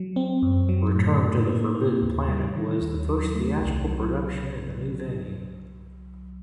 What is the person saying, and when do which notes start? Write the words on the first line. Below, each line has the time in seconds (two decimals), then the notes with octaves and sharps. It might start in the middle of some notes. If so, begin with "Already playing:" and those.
"Return to the Forbidden Planet" was the first theatrical production in the new venue.
Already playing: F#3
0.16 C4
0.42 F#2
0.69 F#3
0.95 A2
1.22 A2
1.49 A#3
1.75 A#3
2.02 D#2
2.29 G3
2.55 D#3
2.81 D#2
3.08 F#3
3.35 A3
3.61 C2
3.88 F#3